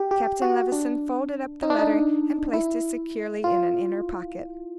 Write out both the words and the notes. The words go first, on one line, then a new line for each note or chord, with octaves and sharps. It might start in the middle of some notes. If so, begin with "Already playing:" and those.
Captain Levison folded up the letter, and placed it securely in an inner pocket.
Already playing: G4
G4
F#4
D4
D#4
D4
D#4
E4
F4